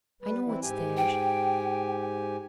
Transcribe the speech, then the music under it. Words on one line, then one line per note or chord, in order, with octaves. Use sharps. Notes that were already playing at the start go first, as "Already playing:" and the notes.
I know what's there.
G3 B4
E3 C4 E4
G#2 G4 G#5
G5